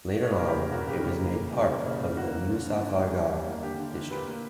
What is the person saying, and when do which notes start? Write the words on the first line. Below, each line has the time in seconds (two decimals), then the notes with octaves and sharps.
Later on, it was made part of the Muzaffargarh District.
0.23 A#3 C#5
0.31 B4
0.39 C#3 A#4
0.46 G4 B4
0.55 C#3
0.71 C#3 F#4 A#4
0.88 C#3 G4
1.04 C#3 G4
1.20 A#3
1.36 C#3
1.53 G3
1.68 A#3
1.85 C#3
2.01 C#3
2.17 A#3 F#4
2.33 A#3
2.50 D3
2.65 D3
2.82 D3
2.98 G3
3.14 G3
3.30 G3
3.47 A#3
3.63 D3 G4
3.78 D3
3.94 D3
4.10 A#2 G4 B4
4.27 A#3